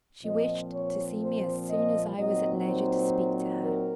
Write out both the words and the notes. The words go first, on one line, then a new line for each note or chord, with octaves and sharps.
She wished to see me as soon as I was at leisure to speak to her.
A#2 F3 C4 D#5
C#5
C5
D#5
A#2 F#3 C4 D#4 D#5
C5
A#4